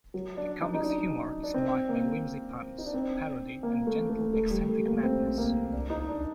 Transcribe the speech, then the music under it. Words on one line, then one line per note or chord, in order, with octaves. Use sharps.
The comic's humor is marked by whimsy, puns, parody, and a gentle, eccentric madness.
F#3
D4
D#4
D#4
D4
D4
C4
A#3
D#4
D4
C4
A#3
A3
A3
A3
G3
A3
A#3
C4
C4
A#3
D4
D#4
D4